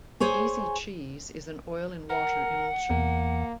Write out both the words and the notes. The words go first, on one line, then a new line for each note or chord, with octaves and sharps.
Easy Cheese is an oil-in-water emulsion.
G#4 C5 C#5 G#5
A#4 F#5
E2 A#3